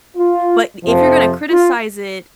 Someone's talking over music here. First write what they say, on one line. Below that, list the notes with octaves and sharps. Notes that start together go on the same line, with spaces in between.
but if you're gonna criticize it,
F4
F2 C3 F3
F4